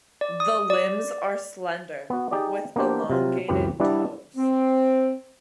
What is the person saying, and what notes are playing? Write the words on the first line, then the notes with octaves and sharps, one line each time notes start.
The limbs are slender, with elongated toes.
D5
D#6
D5
B3 F#4
D#4 G4 G#4 D5
A#3 B3 D4 G4 C5 G5
C3 F#3 F4
C#2 F#2 E3 C4 G4 B4
G3 D4 E4 B4 D5 F#5
C4